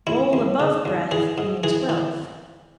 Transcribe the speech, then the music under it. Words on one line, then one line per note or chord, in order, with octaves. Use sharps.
Mole above breath Means wealth.
E2 E4
E2
C#3
E2
E3 G#4
G#2
E3 G#4
E3